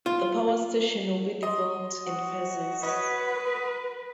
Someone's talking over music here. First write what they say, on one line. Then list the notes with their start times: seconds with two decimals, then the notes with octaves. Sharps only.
The power station will be developed in phases.
0.06 F4
1.43 D#5 C6
2.04 F#4
2.83 B4 C#5 D#5